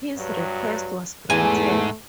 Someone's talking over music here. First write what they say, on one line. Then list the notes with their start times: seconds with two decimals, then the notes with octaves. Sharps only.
His request was granted.
0.18 G2 F#3
1.30 E2 G#2 A3 G#5